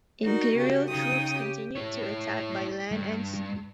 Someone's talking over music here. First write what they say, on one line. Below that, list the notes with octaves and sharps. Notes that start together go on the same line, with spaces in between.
Imperial troops continued to attack by land and sea.
D#4 F#4 A#4 D5
C#3 F#4 G4 A4
C#3 C#4 D#4 G5 D#6
G4
E4 C#5
G2